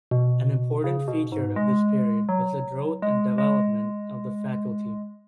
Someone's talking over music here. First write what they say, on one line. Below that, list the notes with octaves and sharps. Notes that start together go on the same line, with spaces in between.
An important feature of this period was the growth and development of the faculty.
B2
C#3
B2
G#2
G#3
F#3
G#3
G#3